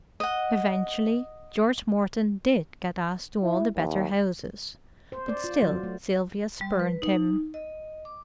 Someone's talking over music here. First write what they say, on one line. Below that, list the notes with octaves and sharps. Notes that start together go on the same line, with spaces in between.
Eventually, George Morton did get asked to all the better houses, but still Sylvia spurned him.
D#5 F#5
E4
D#2
C5
D5
F4
F#3
A3
G3
B4
D#4
D#5
D6